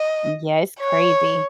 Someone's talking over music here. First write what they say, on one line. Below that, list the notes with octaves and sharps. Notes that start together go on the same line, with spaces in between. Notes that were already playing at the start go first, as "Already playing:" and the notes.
Yeah, it's crazy.
Already playing: D#5
C#5